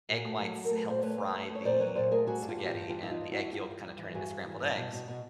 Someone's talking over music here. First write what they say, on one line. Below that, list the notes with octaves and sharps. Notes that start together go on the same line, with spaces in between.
egg whites help fry the spaghetti and the egg yolk kinda turn into scrambled eggs.
A#2 F#4 G#4
A3
F#3
F#3
A#4
A3
B4
A#2 C5
A3 B4 C#5
A3
A3
A3
C#5
A#2 C5 D5
F#3 B4 C#5
A#2 C5 D5
A3 G#4 A#4
G3 F#4 G#4
G2
F4 G4
G3
F#4
F4 G4
G2
E3 F4 G4
E4
E3
D#4 F4
G2
G3 E4 F#4
E3 F4 G4
G2
G3
E3
G2 F#4 G#4
G3
E3
G2
B2
B2
B2